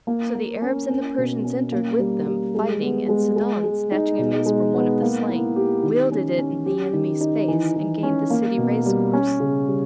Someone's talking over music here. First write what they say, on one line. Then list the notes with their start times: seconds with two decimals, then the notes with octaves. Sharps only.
So the Arabs and the Persians entered with them, fighting, and Sa'adan, snatching a mace from one of the slain, wielded it in the enemy's face and gained the city race-course.
0.07 A#3
0.35 A#3
0.62 C#4
0.90 C#4
1.18 B2
1.44 C#4
1.72 A#3
1.99 G3
2.27 G3
2.55 G#3
2.81 B3
3.09 G#3
3.36 G#3
3.64 G#3
3.92 D#4
4.18 B2
4.46 G#3
4.74 B3
5.02 A#3
5.29 E4
5.56 G4
5.83 D#3
6.12 C#4
6.38 C#4
6.66 G4
6.93 D#3
7.21 D#4
7.48 E3
7.76 E3
8.03 C#4
8.30 A#3
8.58 B2
8.86 G3
9.13 C#4
9.40 C#3
9.67 G3